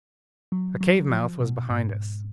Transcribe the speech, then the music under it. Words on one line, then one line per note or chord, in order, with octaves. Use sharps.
A cave mouth was behind us.
F#3
F#3
F3
B2
G#2